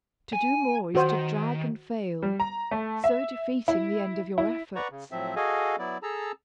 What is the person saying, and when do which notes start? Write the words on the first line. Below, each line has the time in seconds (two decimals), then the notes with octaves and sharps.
To do more is to drag and fail, so defeating the end of your efforts.
0.33 G#5
0.95 D#3 F#4 C5
2.22 G3
2.40 A#5
2.71 A3
3.04 E5
3.68 E4
4.38 E4
4.76 B4 D5 F#5 A#5 C#6
4.91 C#3
5.11 A2 F3 F#3 C4 E5
5.36 F#4 G#4 A4 D#5 F5 G#5
5.79 F#3 B3 E4 D5
6.03 G#4 A4 A5 A#5 E6